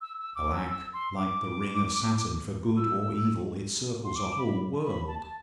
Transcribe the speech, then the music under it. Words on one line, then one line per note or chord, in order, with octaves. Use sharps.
Alack! like the ring of Saturn, for good or evil, it circles a whole world.
E6
E6
D6
E6
E6
C6
D6
E6
E6
C6
D6
B5
B5
A5
A5